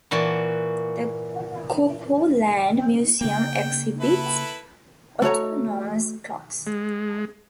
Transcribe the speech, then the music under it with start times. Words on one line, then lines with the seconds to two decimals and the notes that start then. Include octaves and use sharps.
The Cuckooland Museum exhibits autonomous clocks.
0.11 A#2 E3 F#4 A5
3.21 C#3 A#3 G5
4.00 E4 A4 B4
5.22 A3 F#4 C#5 A#5
6.67 G#3